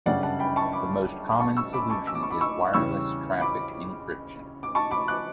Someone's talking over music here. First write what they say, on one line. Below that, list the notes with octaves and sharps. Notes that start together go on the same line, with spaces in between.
The most common solution is wireless traffic encryption.
G1 F#2 C#3 G3 D5 F#5
F#5 A5
G5 B5
A5 C#6
B5 D6
A5 C#6
C#6 E6
B5 D6
A5 C#6
E6
D6
C#6
B5 D6
C#6 E6
E2 C#3 G3 C#4 C#6 E6
B5 D6
D6
A5 C#6
B5 D6
D6 F#6